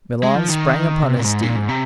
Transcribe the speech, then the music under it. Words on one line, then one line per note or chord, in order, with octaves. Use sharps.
Milon sprang upon his steed.
G#3
F3
D#3
C3
A#2
G#2
A#2
G#2
C3